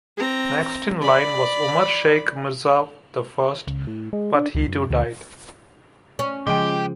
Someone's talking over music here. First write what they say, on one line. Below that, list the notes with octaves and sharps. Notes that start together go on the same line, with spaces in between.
Next in line was Umar Shaikh Mirza I but he too died.
C4 A#5
D5 B5
C#2
A2
G#3
D4
C#2
F#2
D2
C#4
C#3 F3 G#3 G4 G5